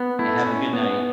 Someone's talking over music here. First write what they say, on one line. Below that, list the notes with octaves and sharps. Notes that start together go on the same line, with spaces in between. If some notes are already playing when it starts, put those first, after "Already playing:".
And have a good night.
Already playing: B3
A3 E4
C#4
B3